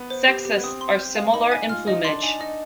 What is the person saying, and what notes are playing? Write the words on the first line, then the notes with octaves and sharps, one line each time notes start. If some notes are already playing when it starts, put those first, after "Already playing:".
Sexes are similar in plumage.
Already playing: B3
C5
G4
G4
B3
C4 D#6
C6
G6
F5
D#4 B5
G#5
F4 F6
D#4 D#5
D4 C6
D#4 G#5
D#4 D#5